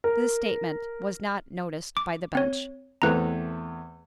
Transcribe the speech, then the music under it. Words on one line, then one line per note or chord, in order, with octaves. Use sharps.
This statement was not noticed by the bench.
A#4
D6
C4 C#5
E2 A3 C4 B4 A#5